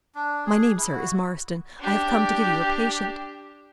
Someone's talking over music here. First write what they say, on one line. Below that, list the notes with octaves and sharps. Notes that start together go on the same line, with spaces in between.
"My name, sir, is Marston; I have come to give you a patient."
D4
G#4
E4
F#4
D4 G4